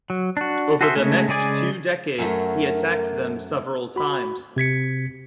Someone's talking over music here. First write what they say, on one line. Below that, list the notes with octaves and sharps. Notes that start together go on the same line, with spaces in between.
Over the next two decades, he attacked them several times.
F#3
D4 F#4
F#4 G#4 A4 C5 E5
C#3 G#3 A3 G#5
C#3 G#3 G#4 D5 G#5
F#2 F#3 A3 A#4
F#4 B5
C3 G#6 B6 C#7